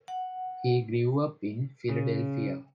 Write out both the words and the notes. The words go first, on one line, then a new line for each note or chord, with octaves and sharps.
He grew up in Philadelphia.
F#5
C#3